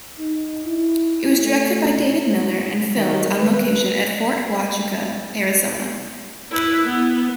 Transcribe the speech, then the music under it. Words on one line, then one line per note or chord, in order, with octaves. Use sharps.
It was directed by David Miller and filmed on location at Fort Huachuca, Arizona.
D#4
E4
A3
D#3
B4
E4 B4
B3